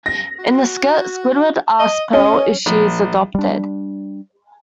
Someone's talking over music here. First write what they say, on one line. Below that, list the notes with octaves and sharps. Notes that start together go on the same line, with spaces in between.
In the skit, Squidward asks Pearl if she is adopted.
A#6
F#4
D#5
C#4 D#5
A#1
G3 D4